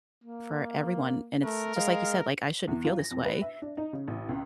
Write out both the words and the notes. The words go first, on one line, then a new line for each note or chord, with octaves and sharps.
for everyone, and it's just like you said, like, I shouldn't feel this way,
A#3
A3 A#4
G#3 F5
E2
F4
A#6
F2
B4
E5
D4
D#4
C#3
A1
C#2